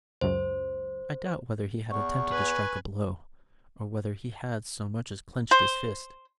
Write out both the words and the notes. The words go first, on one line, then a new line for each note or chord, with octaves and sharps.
I doubt whether he had attempted to strike a blow, or whether he had so much as clenched his fist.
C#2 F#2 C5
E2 C#6
B4 G#5
C5